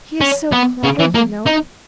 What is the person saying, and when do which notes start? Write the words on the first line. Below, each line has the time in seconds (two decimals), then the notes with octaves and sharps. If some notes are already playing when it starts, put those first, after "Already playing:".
He is so clever, you know.
0.21 C#4
0.52 B3
0.83 C#3
0.99 E3
1.15 A#3
1.46 D#4